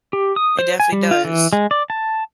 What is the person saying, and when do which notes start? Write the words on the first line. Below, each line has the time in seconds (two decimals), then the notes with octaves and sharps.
It definitely does.
0.13 G4
0.36 D#6
0.59 C5
0.80 G#5
0.92 G3
1.11 F4
1.25 E3
1.53 G#3
1.71 D5
1.90 A5